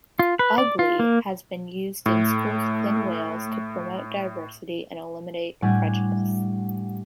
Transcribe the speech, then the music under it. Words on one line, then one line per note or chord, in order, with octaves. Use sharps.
"Ugly" has been used in schools within Wales to promote diversity and eliminate prejudice.
F4
B4
D5
F4
A#3
A2 A3
A2 G3 D4 G4 F#5 G#5